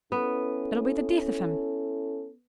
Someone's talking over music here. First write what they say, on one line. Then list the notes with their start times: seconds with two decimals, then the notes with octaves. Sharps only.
It'll be the death of him.
0.12 B3 C#4 E4 A4